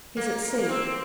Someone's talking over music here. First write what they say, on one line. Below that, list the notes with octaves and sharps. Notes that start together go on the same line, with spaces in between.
He's at sea.
A#3
A#3
C4